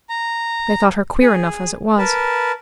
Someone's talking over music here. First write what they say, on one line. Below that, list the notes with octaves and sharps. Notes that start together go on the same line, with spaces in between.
They thought her queer enough as it was.
A#5
G#4
A#4 B4 A5